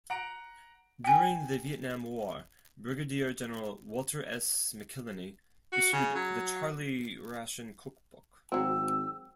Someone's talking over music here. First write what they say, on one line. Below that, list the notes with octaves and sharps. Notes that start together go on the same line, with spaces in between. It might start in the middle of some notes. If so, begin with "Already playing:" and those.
During the Vietnam War, Brigadier General Walter S. McIlhenny issued "The Charlie Ration Cookbook".
F#5 A#5 D7
G5 G#5
F#4
C#3
F#3
G#1 F#3 C4 E6